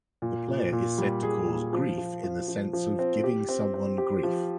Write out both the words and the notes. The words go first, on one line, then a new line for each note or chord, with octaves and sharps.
The player is said to cause "grief" in the sense of "giving someone grief".
A#2
A#2
A#2
G3
G#4
A#2
F3
F3
F3
F3
F3
C4
G4
C4
C4
G4
F3